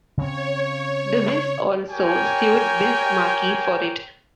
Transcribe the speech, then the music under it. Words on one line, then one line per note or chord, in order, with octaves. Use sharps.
The Wiz also sued Biz Markie for it.
C#3 C4 C#5
G4 A#4 C#5 G5 G#5